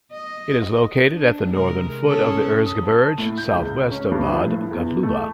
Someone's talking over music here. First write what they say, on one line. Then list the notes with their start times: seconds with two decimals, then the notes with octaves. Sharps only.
It is located at the northern foot of the Erzgebirge, southwest of Bad Gottleuba.
0.12 D#5
1.10 D4
1.50 C3 G#3 A#4
2.08 C#4 G#4 A4
2.66 D#6
2.83 A5
3.18 A2
3.38 G6
3.54 C#2
3.91 C#4
4.11 G2
4.32 F3
4.45 A2
4.71 E2
5.03 A3